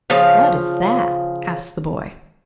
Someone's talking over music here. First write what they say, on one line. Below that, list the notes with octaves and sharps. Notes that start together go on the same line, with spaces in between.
"What is that?" asked the boy.
C#3 F3 F4 F5